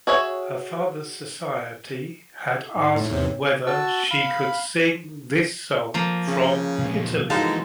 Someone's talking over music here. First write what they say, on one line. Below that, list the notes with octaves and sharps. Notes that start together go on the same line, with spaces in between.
Her father's society had asked whether she could sing this song from Italy.
F#4 G#4 C#5 E5
G#2 D#4
A2
E2 C3 C#5
F#4 A5 C#6 E6
F5 B5
F3 A#3
C#3
C#2 A#2
E3 F#3 G#3 A#3 D#4 F5 A5